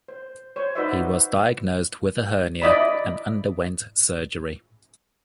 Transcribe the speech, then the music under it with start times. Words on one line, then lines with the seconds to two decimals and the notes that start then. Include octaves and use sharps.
He was diagnosed with a hernia and underwent surgery.
0.08 C5
0.56 C5 C#5
0.75 D#4 F#4 B4 C5 D5 E5
2.62 E4 D5 D#5 B5